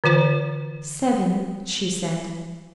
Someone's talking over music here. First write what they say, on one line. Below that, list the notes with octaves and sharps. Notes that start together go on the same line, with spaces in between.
"Seven," she said.
D3 E3 F4 C5